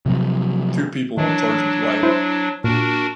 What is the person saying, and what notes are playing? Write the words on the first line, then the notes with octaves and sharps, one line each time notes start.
Two people were charged with rioting.
C3 F3 F#3
D#3 E3 F#3 D4
E4 C5
A#2 D4 F#4 A#4